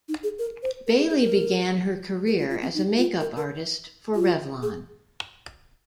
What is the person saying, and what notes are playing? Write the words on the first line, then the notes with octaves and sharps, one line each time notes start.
Bailey began her career as a make-up artist for Revlon.
D#4
G#4
A#4
C5
A#4
G#4
G#4
A#4
A#4
F4
F4
C4
D#4
F4
A#4
A#4
F4
G#4